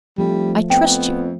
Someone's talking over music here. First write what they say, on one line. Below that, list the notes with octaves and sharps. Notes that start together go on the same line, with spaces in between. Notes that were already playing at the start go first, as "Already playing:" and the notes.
I trust you.
F1 F3 G3 A3
F2 B3 G5